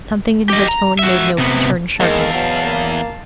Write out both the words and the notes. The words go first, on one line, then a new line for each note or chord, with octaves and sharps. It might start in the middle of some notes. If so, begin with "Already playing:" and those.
Something in her tone made Noakes turn sharply.
G4 D#5
A#5
F#4 E5
C3 B3
E2 D#3 G#3 A#3 F5 A5
B2 F#3
A#3